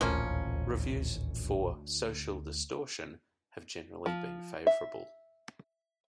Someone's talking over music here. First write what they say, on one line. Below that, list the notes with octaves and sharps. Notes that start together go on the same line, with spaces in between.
Reviews for "Social Distortion" have generally been favorable.
D#1 A1 D2 F3 A#3 C#4
F3
E5